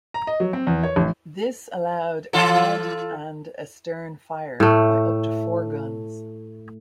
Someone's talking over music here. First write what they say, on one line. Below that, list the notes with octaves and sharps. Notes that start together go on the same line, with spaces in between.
This allowed ahead and astern fire by up to four guns.
A#5
D#5
F#3
C4
E2
C#5
A1
E3 F4 A4
A2 A3